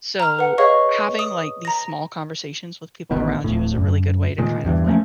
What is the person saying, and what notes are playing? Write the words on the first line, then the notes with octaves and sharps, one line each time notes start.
So, having, like, these small conversations with people around you is a really good way to, kind of, like,
A#5 F6
B4 F#5
G#4 B4 C#5 D#5 F5 C#6
D#6
A#5 A#6
A1 D#3 B3
D1 A2
F#2
A#2 D#3 G#3
E2 G2 E3
F3 A3 A#3 C#4